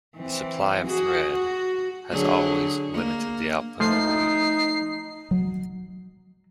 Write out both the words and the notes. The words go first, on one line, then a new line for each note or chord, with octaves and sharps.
The supply of thread has always limited the output of a weaver.
E3 C4
F#4 G#4
F#4
D3 F#3 G#4
A#3
F3 A3 D#4 C7
F#3